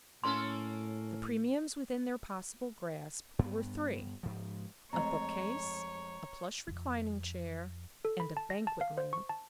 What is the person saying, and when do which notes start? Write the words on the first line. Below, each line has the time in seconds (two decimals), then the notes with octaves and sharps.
The premiums within their possible grasp were three: a bookcase, a plush reclining chair, and a banquet lamp.
0.24 A2 A#3 C#4 A4 C6
3.39 G2 B3
4.23 G#2 F3
4.93 F2 G#3 A3 C#5 A#5
6.68 F2
8.05 A4
8.20 B5
8.37 A5
8.50 A#6
8.67 A5
8.81 F5
8.98 C5
9.13 C#6
9.29 A5